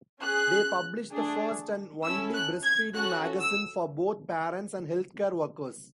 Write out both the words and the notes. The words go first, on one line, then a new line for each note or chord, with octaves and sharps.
They publish the first and only breastfeeding magazine for both parents and healthcare workers.
C#4 G#4 F#6
A3 D4 G#4
C#4 E4 A4 E6
F#6
G#6
C#4 F#4 A4 F#6
E6